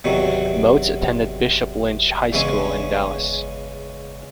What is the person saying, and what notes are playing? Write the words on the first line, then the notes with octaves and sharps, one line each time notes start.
Moats attended Bishop Lynch High School in Dallas.
E2 C3 D#3 F#3
E2 C#3 E3 G#3 C#4